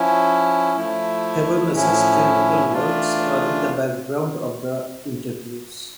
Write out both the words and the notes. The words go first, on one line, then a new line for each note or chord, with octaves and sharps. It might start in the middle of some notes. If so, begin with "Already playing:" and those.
Habermas's theoretical works are in the background of the interviews.
Already playing: F3 C#4 E4
F3 A3 E4
A2 F3 C#4 E4
E3 A3 D4 F4